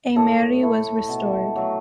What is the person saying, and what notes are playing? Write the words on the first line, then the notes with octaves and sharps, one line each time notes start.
Aimeri was restored.
A2 A4
A3 E4
B2
F#3 A3